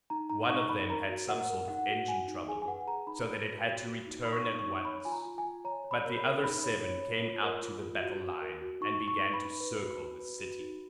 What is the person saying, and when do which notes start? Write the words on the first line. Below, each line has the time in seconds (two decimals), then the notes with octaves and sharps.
One of them had some sort of engine trouble, so that it had to return at once; but the other seven came out to the battle-line and began to circle the city.
0.10 D#4 A#5
0.30 D#4 A#5
0.50 D#4 C#6
0.69 D#4 B5
0.89 A#4 A#5
1.09 F#4
1.29 A#4 F#5
1.49 A#4
1.68 D#4 F#5
1.89 F#4
2.08 F#4 G#5
2.28 D#4
2.48 G#4 G#5
2.62 G#5
2.67 B4 F#5
2.87 G#4 A#5
3.07 D#4 B5
3.28 B4
3.47 F#4
3.66 F#4
3.87 F#4
4.07 D#4
4.25 D#4 B5
4.32 C#6
4.46 D#4
4.59 C#6
4.65 D#4
4.85 C#5 B5
5.05 F4 G#5
5.12 A#5
5.25 F4
5.38 G#5
5.45 F4
5.64 C#5 A#5
5.84 C#5
5.91 B5
6.04 A#4
6.18 B5
6.24 A#4
6.44 D#4 B5
6.64 C#5
6.83 C#5
7.03 C#5
7.23 F4
7.43 A#4
7.63 F4
7.83 F4
8.02 F#4
8.22 F#4
8.41 A#4
8.62 F#4
8.81 D#4 C#6
9.00 D#4
9.08 C#6
9.21 B4
9.34 B5
9.41 D#4
9.60 B4
9.80 F#4
10.00 F#4
10.19 B4
10.40 F#4
10.59 D#4